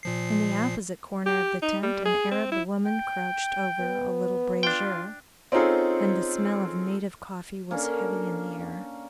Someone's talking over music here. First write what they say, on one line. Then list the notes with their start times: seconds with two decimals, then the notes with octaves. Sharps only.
In the opposite corner of the tent an Arab woman crouched over a little brazier, and the smell of native coffee was heavy in the air.
0.03 A#2 F3 C7
1.26 G4
1.62 D#4
1.83 G3
2.06 G#4
2.31 C4
2.52 E4
2.86 G5
3.81 B3
4.63 D4 F4 G5
5.52 C4 C#4 D#4 F4 G#4 A4
7.71 A#3 C#4 D4 A4